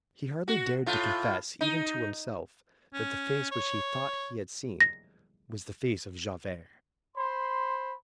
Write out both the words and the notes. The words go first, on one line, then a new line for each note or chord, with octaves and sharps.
He hardly dared to confess, even to himself, that the face which he thought he had seen was the face of Javert.
F#4
A2 F4
D#4
C#4
C#5
A#6
C5 B5 C6